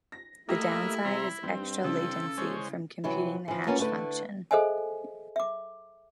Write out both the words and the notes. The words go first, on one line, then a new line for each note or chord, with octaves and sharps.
The downside is extra latency from computing the hash function.
A#6
A3 A#3 E4 G4 D#5 E5 A#6
C3 G3 E5 A#5 C6
G2 G3 C4
C#3 E3 A4
G#3 C5 C#5
C3 E3 F#3 E4
E3 F3
A#3 B3 C#4 F4
D3 A3 E4 B4
G#4 A4 C5 D#5 E5 G#5
E5 D6